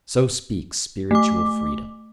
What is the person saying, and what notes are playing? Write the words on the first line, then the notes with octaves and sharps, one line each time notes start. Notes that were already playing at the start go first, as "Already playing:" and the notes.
So speaks "spiritual freedom."
A3 D6